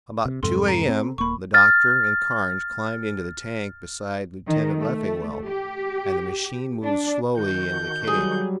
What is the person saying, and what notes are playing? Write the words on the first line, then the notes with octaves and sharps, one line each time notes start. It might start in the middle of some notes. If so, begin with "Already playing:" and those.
About two A. M. the doctor and Carnes climbed into the tank beside Lieutenant Leffingwell, and the machine moved slowly into the cave.
C3
F2 G#2 C3 A4 C6
A#5 C7
C4
D#1 A#3 B5 C#6
F6 A6
D#3
A3
G4
D4
D#3 F#4 G6
F#3 G3 G#4